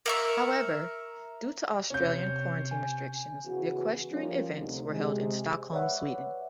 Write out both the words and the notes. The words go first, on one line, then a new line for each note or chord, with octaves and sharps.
However, due to Australian quarantine restrictions the equestrian events were held in Stockholm, Sweden.
A#4 E5 C#6
C3 C#4 G6
G#5
C#3 E3 B3 F#4
F3 G3 A#3 C#4
D2 C3 D#4
C3 G#3
B4 C#5 D5 E5 F#5